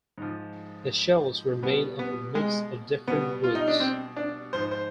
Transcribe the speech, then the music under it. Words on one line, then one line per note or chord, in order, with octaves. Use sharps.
The shells were made of a mix of different woods.
G#2 F3
B2 G3 B3
B3
G#3
B2 G3 B3
F4
D#4
D4
C4
D4
G#2 F3 C5
C5